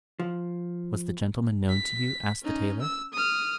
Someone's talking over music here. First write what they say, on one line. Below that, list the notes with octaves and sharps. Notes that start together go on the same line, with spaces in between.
"Was the gentleman known to you?" asked the tailor.
F3
B6
C#4 D#4
E6
D#6 F6